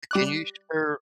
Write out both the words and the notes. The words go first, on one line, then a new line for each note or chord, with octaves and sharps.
can you share
G3 D5 F#6